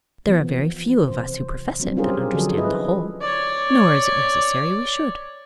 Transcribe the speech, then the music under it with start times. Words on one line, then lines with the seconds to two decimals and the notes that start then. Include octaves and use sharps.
There are very few of us who profess it that understand the whole, nor is it necessary we should.
0.27 E3 F3 B3
1.08 C3 C5
1.80 F#3 G3 C4 D4
1.97 C#4 F4 G4 G#4 A#4 C5
2.33 D3 F3 F#3 D4 G#4 A4
2.57 E4 B4 D#5
3.21 C#5 D5